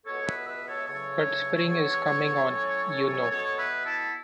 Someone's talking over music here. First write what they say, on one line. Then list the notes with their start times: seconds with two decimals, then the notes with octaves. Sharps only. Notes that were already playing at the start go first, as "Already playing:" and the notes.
But spring is coming on, you know.
0.06 C#2 B2 B3 A4 C#5
0.26 B4 E5
0.47 B4 E5
0.67 A4 C#5
0.77 E5
0.87 E2 C#3 F#3 A3 C#4 A4 C#5
1.69 E2 E3 B3
2.50 A2 F#3 C#4
3.31 B2 B3 A4 C#5
3.58 B4 E5
3.85 E4 A4